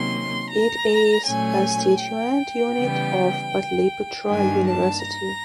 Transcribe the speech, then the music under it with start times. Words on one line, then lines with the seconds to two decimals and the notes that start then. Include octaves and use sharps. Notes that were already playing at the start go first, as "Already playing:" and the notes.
It is constituent unit of Patliputra University.
Already playing: C3 D#3 F#3 A#3 C#4 C6
0.50 A#5
1.26 A#2 F#3 A3 C#4 G#5
2.01 G5
2.77 C#3 E3 G3 B3
4.28 G2 D#3 G3 A#3 D4 G#5
4.67 A5
5.04 A#5